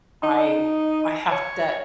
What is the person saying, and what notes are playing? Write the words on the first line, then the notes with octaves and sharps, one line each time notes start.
I I have that
D#4
D#4
C#5